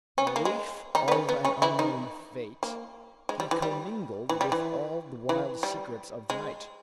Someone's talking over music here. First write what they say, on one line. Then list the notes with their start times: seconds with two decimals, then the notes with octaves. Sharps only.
Waif of an unknown fate, he commingled with all the wild secrets of the night.
0.18 C#4
0.27 B3
0.36 A#3
0.45 G#3
0.95 D#3 D#4
1.08 B3
1.11 C#3 C#4
1.29 B3
1.45 C#3 C#4
1.62 E3 E4
1.79 D#3 D#4
2.63 A#3
3.29 G#3
3.40 G3
3.51 E3
3.62 G3
4.29 E3
4.41 G3
4.52 E3
5.29 E3
5.63 G3
6.30 G#3